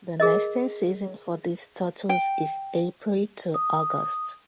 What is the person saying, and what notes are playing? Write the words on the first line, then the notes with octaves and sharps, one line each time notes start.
The nesting season for these turtles is April to August.
G#4 A#4 D#5
G5
D#6